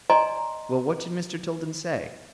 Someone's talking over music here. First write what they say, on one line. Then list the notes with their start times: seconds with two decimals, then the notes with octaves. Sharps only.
"Well, what did Mr. Tilden say?"
0.10 D5 D#5 G#5 A#5 C6